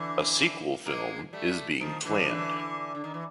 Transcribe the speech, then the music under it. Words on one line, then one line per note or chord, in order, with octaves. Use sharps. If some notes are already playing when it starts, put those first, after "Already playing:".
A sequel film is being planned.
Already playing: D3 E3
G#3 A#3
G3 A3
D#3 F3
D3 E3
F3
D3 E3
D3
D#3
E3